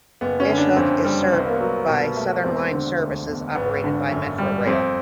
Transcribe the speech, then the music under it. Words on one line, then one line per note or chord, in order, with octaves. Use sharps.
Fish Hoek is served by Southern Line services operated by Metrorail.
F#1 B3
C#4
D3
D4
F2 C4
G3
C2 C4
B3
A#3
B3
F#3
B2
A3
E1 C4
D3
D2
E1
G#1 B3
D3
F#2
G3
F2 C4